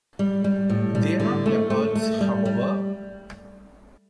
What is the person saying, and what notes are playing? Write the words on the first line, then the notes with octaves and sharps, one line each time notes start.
They are not leopards, however.
G3
G3
A2
G3
D3
A3
A3
A3
G3
G3